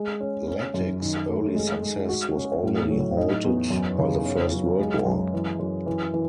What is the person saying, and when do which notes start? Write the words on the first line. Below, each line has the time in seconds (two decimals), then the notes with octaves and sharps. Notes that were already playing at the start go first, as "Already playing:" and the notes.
Latics early success was only halted by the First World War.
Already playing: G#3
0.20 C#4
0.47 C#4
0.74 F#2
1.02 D#3
1.28 A3
1.55 G#3
1.82 G#3
2.09 F#4
2.36 C#4
2.63 A2
2.90 F#3
3.17 D#4
3.44 E2
3.70 F#2
3.98 C#3
4.25 C#4
4.52 F#3
4.79 G#3
5.05 F#2
5.33 E3
5.59 F#2
5.86 E3
6.14 E3